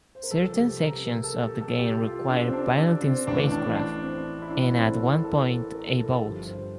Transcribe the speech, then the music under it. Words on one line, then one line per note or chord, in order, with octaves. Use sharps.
Certain sections of the game require piloting spacecraft and at one point a boat.
C5
A#4
C2 C3 F3 A4
G4
A#4
A#4
A4
G4
A4
G4
F4
D4
C4
D4
D4
C4
A1 A2 E3 D4
D4
D4
C4
E4
D4
C4
A4
A#4
A4
A#4
A#4
A4
G1 G2 F3 G4
C5